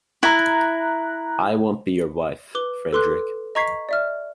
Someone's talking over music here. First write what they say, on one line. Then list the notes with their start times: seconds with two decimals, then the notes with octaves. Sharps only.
I won’t be your wife, Frédéric.
0.23 E4 A#5 F#6
2.55 B4 D6 G7
2.93 A4 B4 C6 D6 F#6
3.55 D#5 A#5 C#6 G#6 B6 C7
3.89 D5 E5 F6